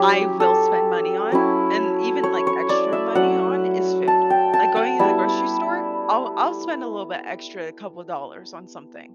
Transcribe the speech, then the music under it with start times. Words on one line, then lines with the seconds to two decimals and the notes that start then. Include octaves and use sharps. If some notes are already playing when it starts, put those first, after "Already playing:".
I will spend money on and even, like, extra money on, is food, like, going to the grocery store, I'll I'll spend a little bit extra, a couple dollars on something,
Already playing: F#3 C#4 E4 G4
0.40 A4
1.32 F#3 C#4 E4
2.23 C#5
2.47 C#5
2.69 D5
2.93 E5
3.15 F#3 A3 C#4 F#5
4.08 A5
4.30 G5
4.54 A5
4.76 F#5
4.99 G3 B3 E4 E5